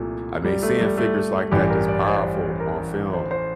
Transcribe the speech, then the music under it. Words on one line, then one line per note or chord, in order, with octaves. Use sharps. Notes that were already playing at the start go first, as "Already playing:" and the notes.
I mean, seeing figures like that, that's powerful, on film,
Already playing: C2 A#2 F3 A3
G3
A3
G3
A3
A1 G2 E3 G4
A#4
D5
C5
A#4
C5
C5